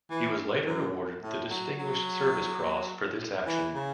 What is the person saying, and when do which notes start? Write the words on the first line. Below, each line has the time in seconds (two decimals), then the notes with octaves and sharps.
He was later awarded the Distinguished Service Cross for this action.
0.10 E3
0.66 F#2
1.22 A2
1.50 F#3
1.79 F#3
3.46 E3
3.74 C#3